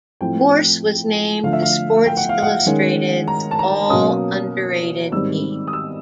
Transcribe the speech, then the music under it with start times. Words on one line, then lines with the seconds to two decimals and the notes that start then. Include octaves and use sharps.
Morse was named to "Sports Illustrated"'s "All-Underrated Team".
0.21 A2 F3 A3 C4 G5
1.43 D3 F3 A3 F5
1.53 E5
1.62 F5
2.06 G5
2.17 F#5
2.29 F5
2.42 F#5
2.66 D#3 G#3 C#4
3.28 A#5
3.51 A5
3.59 A#5
3.89 B2 F#3 A#3 C#4 D#6
5.12 G#2 D#3 G3 C4 E6
5.67 D#6
5.73 E6